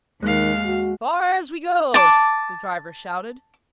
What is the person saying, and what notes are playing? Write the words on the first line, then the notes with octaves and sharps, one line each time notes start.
"Far as we go!" the driver shouted.
D#2 D#3 G#3 F5 F#6
F#4
A5 D6